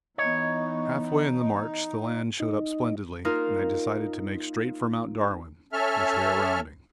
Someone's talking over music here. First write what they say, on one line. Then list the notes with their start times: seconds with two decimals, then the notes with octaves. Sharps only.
Half way in the march the land showed up splendidly, and I decided to make straight for Mt. Darwin, which we are rounding.
0.18 E3 B3 D#4 C#5 D#5
2.40 D#4
3.25 A#3 D#4 F4 A#4
5.73 C#4 A4 E5 F6